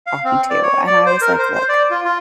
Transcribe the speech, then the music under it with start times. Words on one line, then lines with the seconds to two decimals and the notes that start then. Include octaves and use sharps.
talking to, and I was like, "Look,
0.07 F5
0.24 C4
0.50 D5
0.63 C#5
0.87 D5
1.06 C5
1.21 A#4
1.39 C5
1.55 C5
1.69 D5
1.90 F4
2.05 F4